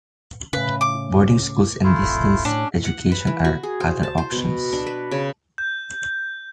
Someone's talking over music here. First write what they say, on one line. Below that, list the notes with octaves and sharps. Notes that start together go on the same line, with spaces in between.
Boarding schools and distance education are other options.
A2 C#3 B4
D6
A3 E4 F4
D1 G#1
A2 C#4 D4
F#5
B4
E3
F#4
G#4
C5
A5
C5
B2
D4
B4
C#3
G6